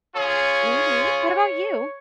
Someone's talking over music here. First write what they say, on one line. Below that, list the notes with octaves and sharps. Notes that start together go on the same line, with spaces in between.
Mhm. What about you?
C#4 F4 G#4 C#5